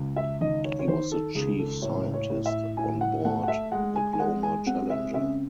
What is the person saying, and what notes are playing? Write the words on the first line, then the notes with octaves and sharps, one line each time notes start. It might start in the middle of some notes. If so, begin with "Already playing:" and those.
He was the chief scientist on board the Glomar Challenger.
Already playing: C#2
E5
D#3 D#5
C#5
C#5
D#3 C5
A4
C#2 G#4
A4
A2 C#5
C#5
A2
E5
A2 G#5
F#5
A3 F#5
F#5
E5
G#3 F#5
G#5
G#5
G#3 F#5
G#5
C4 F#5
E5
C#3 E5